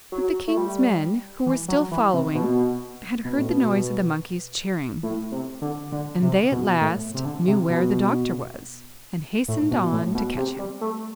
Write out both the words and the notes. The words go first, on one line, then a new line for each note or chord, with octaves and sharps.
But the King's men, who were still following, had heard the noise of the monkeys cheering; and they at last knew where the Doctor was, and hastened on to catch him.
F#3
A3
G3
E3
F#3
E3
C3
B2
B2
A2
B2
A2
C3
D3
D3
C3
B2
A2
C3
D3
C3
B2
A2
B2
A2
B2
C3
G3
A3